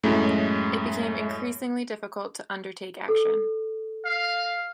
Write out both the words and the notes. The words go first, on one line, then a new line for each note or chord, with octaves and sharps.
It became increasingly difficult to undertake action.
F#2 A2 G#3 A3
A4
F5